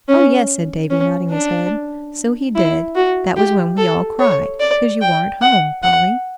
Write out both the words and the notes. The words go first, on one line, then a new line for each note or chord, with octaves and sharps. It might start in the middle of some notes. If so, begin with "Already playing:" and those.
"Oh, yes," said Davie, nodding his head, "so he did; that was when we all cried 'cause you weren't home, Polly."
C#4
C#4
D4
E4
F#4
G4
A4
C#5
D5
G5
F#5
F#5